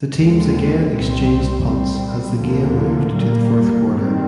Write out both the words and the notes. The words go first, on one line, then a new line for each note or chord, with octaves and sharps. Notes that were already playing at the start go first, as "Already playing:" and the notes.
The teams again exchanged punts as the game moved to the fourth quarter.
D#2 D3 G#3 C4
C2 A#2 G3 C4
A#2 G3 C4
D2 D3 F3 A#3
A#2 G3 A#3
G2 D#3 G3 C4